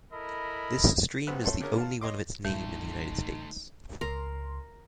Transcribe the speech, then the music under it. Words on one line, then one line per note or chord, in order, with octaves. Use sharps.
This stream is the only one of its name in the United States.
E4 A4 A#4 D#5 B5
B1 G2 B3 C4 B5 F#6
A3 C#4 A4 C6
D2 C#3 D4 A#4 C#5
F4 A5
C#5 D#5 C6 D6
A1 D2 G3 A3 D#4
C#2 A#4 C6